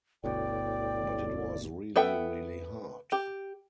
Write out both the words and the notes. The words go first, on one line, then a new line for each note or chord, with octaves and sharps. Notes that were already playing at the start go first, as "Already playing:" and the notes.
But it was really, really hard.
G1 D2 B2 E4 A4 C#5 D5 G5
B3 A4 E5 G5
G4